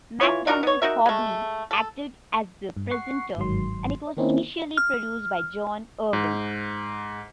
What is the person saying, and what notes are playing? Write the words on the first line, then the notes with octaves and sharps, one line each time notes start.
McDonald Hobley acted as the presenter, and it was initially produced by John Irwin.
E3 F4 C#5
D4 D#4 F#4 A#4
B3 C#5
D#4 F#4 A#4 E5
G#3 A3
A4
G2
F#5 C#6 C7
G1 G#2 D#3 F#3 C6
D#3 A#3 C4 C#4 D#4 E4
F6
G#2